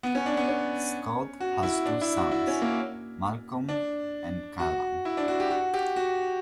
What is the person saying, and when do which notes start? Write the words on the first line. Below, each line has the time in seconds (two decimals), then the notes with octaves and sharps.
Scott has two sons, Malcolm and Callan.
0.03 B3
0.15 C#4
0.26 D4
0.37 B3
0.48 C#4
1.40 F#4
1.63 E4
1.86 D4
2.01 E4
2.17 F#4
2.31 E4
2.47 C#4
2.62 A#3
3.69 D4
4.59 F#4
5.05 E4
5.17 D4
5.28 F#4
5.40 G4
5.51 F#4
5.74 G4
5.96 F#4